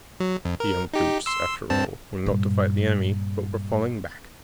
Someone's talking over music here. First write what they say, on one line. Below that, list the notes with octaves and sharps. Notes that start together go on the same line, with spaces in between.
The young troops, after all, were not to fight the enemy, but were falling back.
F#3
F2
A#4
D#4 G4
C6 E6
G2 C4 A5
G2 A#2